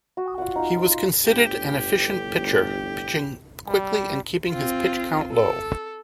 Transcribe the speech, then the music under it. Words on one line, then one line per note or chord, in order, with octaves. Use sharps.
He was considered an efficient pitcher, pitching quickly and keeping his pitch count low.
F#4
F4 D5 F#5
D#4 F4
F5 C6
C6
G1 A2 G4
G3
C4 F4
A4